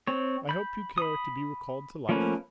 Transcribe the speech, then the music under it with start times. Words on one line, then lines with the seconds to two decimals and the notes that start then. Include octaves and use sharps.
"I hope you care to be recalled to life?"
0.07 C4 C#5
0.49 B5 G6
0.98 B5 D#6
2.09 F3 A3 A#3 C#4 B4